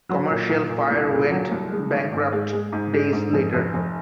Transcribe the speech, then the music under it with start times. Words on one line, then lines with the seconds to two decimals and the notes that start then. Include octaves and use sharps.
Commercial Fire went bankrupt days later.
0.09 F#3
0.29 A#2
0.49 A#2
0.69 A#2
0.90 C2
1.10 A#2
1.30 F#3
1.51 C2
1.71 G#3
1.92 G#1
2.12 G#2
2.32 G#3
2.53 G#3
2.73 G#2
2.93 G#3
3.13 G#2
3.33 F1
3.54 F1
3.74 F1